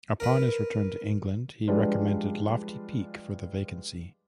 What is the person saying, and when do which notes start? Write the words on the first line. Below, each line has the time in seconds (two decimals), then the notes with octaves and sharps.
Upon his return to England he recommended Lofty Peak for the vacancy.
0.20 A#4 B4
1.68 F3 G3 G#3 D4 F4 B4